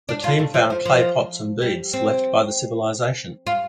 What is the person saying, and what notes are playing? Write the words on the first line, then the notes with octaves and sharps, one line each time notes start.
The team found clay pots and beads left by the civilization.
D4
F4
A3
F3
F3
F3
G3
C4
F4